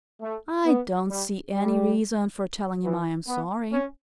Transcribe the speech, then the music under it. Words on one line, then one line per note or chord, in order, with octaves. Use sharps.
I don't see any reason for telling him I am sorry.
A3
B3
G3
G3
E3
B3
C#4